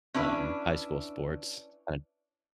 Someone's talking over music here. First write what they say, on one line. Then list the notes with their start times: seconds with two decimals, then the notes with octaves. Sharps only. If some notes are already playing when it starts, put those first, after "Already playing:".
um, high school sports and
0.14 C#4 D4 E4 B4